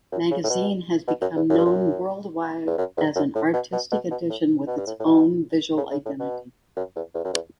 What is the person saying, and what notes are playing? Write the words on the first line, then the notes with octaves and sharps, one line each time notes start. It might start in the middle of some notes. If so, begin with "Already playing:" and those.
Magazine has become known worldwide as an artistic edition with its own visual identity.
F#2
C#3
A2
B2
B2
F#2
E2
F#2
G2
F#2
E2
F#2
E2
F#2
A2
B2
B2
B2
B2
A2
B2
G2
A2
A2
B2
C#3
C#3
A2
B2
F#2
E2
E2
F#2
E2